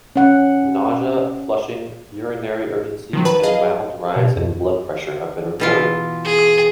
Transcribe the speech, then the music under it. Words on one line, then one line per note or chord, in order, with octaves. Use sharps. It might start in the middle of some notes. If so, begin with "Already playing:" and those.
Nausea, flushing, urinary urgency, and mild rise in blood pressure have been reported.
C#4 F#5
D#3 F3 F#3
B4 A5 B5
G#4 D#5 F5
B2
F2
B2 E3 F4
G#4